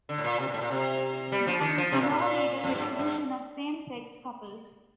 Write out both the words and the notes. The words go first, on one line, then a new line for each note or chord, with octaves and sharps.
There is no legal recognition of same-sex couples.
D3
A2
A#2
C3
A#2
A2
A#2
C3
G3
F3
D#3
F3
C3
A#2
A2
A#2
F2
G2
A2
G2